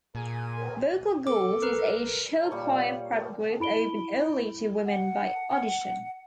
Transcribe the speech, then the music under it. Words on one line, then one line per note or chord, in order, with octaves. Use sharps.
Vocal Gold is a show choir prep group open only to women by audition.
A#2 G#4 A#4 G#5
A4 D6
A#4 B4
A#2 G3 C#5
E4 B5 D7 G7
F#5